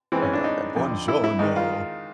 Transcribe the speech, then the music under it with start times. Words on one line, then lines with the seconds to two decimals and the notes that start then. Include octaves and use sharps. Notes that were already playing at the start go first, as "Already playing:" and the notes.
I love that. Buongiorno.
0.12 E3 C4
0.15 G#2
0.22 C#4
0.33 D4
0.44 D#4
0.76 F2 D3
1.08 E4
1.24 E4
1.39 G#2 D#3 D#4
1.56 F4